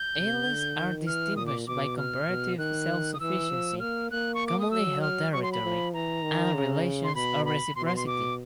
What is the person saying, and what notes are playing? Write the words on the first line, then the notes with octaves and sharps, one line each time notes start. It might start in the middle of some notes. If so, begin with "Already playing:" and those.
Ayllus are distinguished by comparative self-sufficiency, commonly held territory, and relations of reciprocity.
Already playing: G6
C3
D3
D#3
E3 F6
A#2 D#6
D6
B2 D6
F6
B2
D#3 F#6
D#6
E3 E6
F3
A#3 F6
A#3 F#6
C#6
D6
D#6
F#3 E6
F6
F#3 C#6
C6
B5
F3
E3 A#5
D#3
C#3
C6
B2 B5
B5
B2 C6
C6
C6
D6